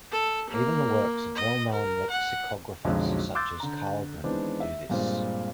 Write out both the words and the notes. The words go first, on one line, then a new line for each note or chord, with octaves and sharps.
Even the works of well-known lexicographers such as Karlgren do this.
A4
A#3
D#5
A#4
F#5
B1 F2 D3 F#3 G#3 D#4
C6 D6 E6 F#6 G6 A6
D3 A#5
D#3 E3 G#3 B3 C4 D4
E5
G2 A#2 G#3 C4